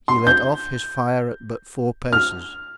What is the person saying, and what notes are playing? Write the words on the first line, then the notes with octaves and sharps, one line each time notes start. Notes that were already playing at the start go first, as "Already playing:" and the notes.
He let off his fire at but four paces.
C6
G6
F6